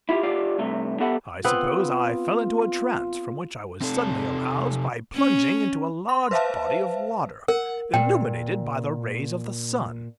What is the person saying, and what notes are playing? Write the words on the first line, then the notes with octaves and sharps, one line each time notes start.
I suppose I fell into a trance, from which I was suddenly aroused by plunging into a large body of water illuminated by the rays of the sun!!
E4 F4 G4
F4 G4 D5 F5
G2 C3 A3
B3 G4 A4 E5 F#5
B3 C4 F4 B4
C3 A4
C#4
C6
B4 C5 E5 F5 A5
A#4 F#5
A#2 G5